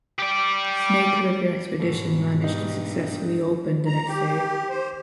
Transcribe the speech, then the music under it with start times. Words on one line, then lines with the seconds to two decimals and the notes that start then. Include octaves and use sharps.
Snake River Expedition managed to successfully open the next day.
0.19 G4 D5
1.80 G#2 B2 E3
2.44 G2 D#4
3.87 A#5
4.08 G4
4.69 C5